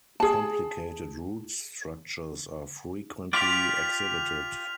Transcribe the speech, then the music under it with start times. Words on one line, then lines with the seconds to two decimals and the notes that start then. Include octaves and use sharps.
Complicated root structures are frequently exhibited.
0.20 G#4 A5
3.33 F4 G4 D5 F6 B6 F7